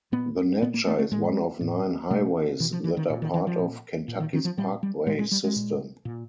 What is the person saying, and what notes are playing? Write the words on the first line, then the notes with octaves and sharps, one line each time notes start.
The Natcher is one of nine highways that are part of Kentucky's parkway system.
A#2 B3
A#2 B3
A#3
A3
A3
A2 G#3
A2
B2 A3
B2 E3
F3
E3
D#3
A#2
D#3
E3
F3
A#2
A#2
D#3
D#3
F3
A#2 G3
G3
A#2 G#3
G#3
G3
G#3
A#2
A#2